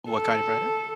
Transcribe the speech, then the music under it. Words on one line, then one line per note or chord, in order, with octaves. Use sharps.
what kind of writer?
A4